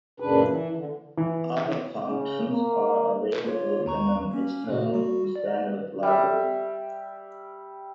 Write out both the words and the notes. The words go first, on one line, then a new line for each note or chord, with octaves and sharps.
Other functions are available in an external standard library.
F#2 A#2 C#3 D4 B4
E3
D3
E3
C#3
A#3
A#3 F4 C#5
D#2 A#5 C#6
A#3 C#4
A#2 C#3 F#4
G3 F#4
D5
G3 E5